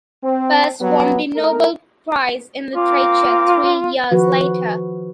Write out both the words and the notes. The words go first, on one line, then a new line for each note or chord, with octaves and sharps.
Perse won the Nobel Prize in Literature three years later.
C4
F#3 G3 B3
A3 D#4 A#4
A#3 C4 F4 D6
D#3 F3 F#4 B4